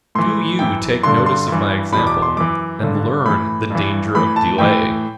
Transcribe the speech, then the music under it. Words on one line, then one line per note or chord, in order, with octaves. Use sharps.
Do you take notice of my example, and learn the danger of delay.
A2 E3 C6
F#2 E3 G5
G2 D3 C6
C6
G2 E3
E2 B2 B5
D6
C6
F#2 E3 D6
G2 D3
A2 E3 B5
G2 E3
A2 E3 B5
A5
A2 E3 G5